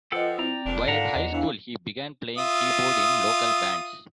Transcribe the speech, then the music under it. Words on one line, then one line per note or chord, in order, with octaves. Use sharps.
While at high school he began playing keyboard in local bands.
F3 F4 A4 B4 D#5 F#5 G5
C4 E4 D5 G5 A#5
F1 A#2 D4
G#2 A4 F5 F#5 A5 A#5
E2 D#5
G#2 E3 F#3 D4 E4 F5
F4 E5 D#6